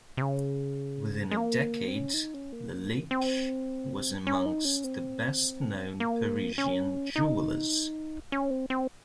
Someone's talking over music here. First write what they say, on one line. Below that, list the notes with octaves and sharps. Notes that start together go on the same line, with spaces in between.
Within a decade, Lalique was amongst the best-known Parisian jewellers.
C3
C#3
G#3
A#3
C4
C#4
D#4
C#4
A#3
C4
C#4
D#4
C#4
C4
A#3
C#4
D#4
C#4
C4
C4